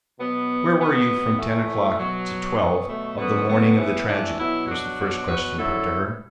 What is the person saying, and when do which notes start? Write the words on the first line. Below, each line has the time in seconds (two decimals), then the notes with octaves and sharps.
"Where were you from ten o'clock to twelve of the morning of the tragedy?" was the first question put to her.
0.19 B2 F#3 B3
0.79 B2 F#3 B3
1.38 A2 E3 A3
1.98 B2 F#3
2.59 B2 F#3 B3
2.88 A3
3.18 F#2 D3 F#3 B3
3.49 B3
3.78 A2 E3
4.08 A3 D4
4.38 B2 F#3 B3 E4
4.68 D4 F#4
4.99 B2 F#3
5.27 F#4 B4
5.58 F#2 D3 F#3 E4 A4